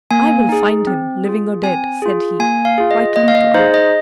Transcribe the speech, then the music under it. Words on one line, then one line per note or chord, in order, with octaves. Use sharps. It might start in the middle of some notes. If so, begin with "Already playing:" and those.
"I will find him, living or dead," said he quietly to Aouda.
A#3 G#5
D#4 G#4
C4
F4 G#4
C4 G#5
F4 G#4
A#3 G#5
F5
F4 G#4
D#5
A#3 D#5
F5
D#5
D#4 G#4 C5
D#5